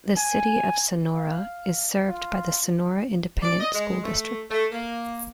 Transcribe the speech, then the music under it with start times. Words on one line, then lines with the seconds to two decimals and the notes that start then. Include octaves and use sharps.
The City of Sonora is served by the Sonora Independent School District.
0.17 G#5
1.14 F5
2.08 F4
3.43 D5
3.60 D#5
3.74 G#3
4.03 A3
4.50 A3
4.72 A#3